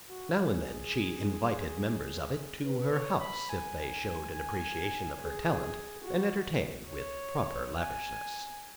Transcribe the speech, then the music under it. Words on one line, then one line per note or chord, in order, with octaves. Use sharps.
Now and then she invited members of it to her house if they showed an appreciation of her talent and entertained with proper lavishness.
F#4
G#4
B4
C#5
B5
G#5
G#5
G#4
F#4
C#5
G#5